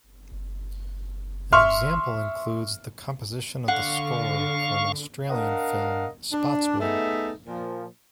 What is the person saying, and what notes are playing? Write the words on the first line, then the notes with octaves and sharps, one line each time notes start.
An example includes the composition of the score for an Australian film "Spotswood".
E5 C6 C#6 F6
D3 F5 F#5 C#6
D4 A#4 D#5 F5 F#5
D4
A3 B3 D#4 G#4 E5
A#2 F3